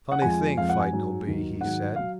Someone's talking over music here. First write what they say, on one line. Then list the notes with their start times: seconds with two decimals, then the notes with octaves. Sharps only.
"Funny thing fighting'll be," he said.
0.12 F#5
0.22 F2 F3 G#3 G#5
0.57 F2 F3 G#3 F5
0.69 F#5
0.80 G#5
0.91 G#2 F#3
1.26 D#2 D#3 F#3
1.61 G#2 D#3 F#3 F#5
1.96 F#3 F5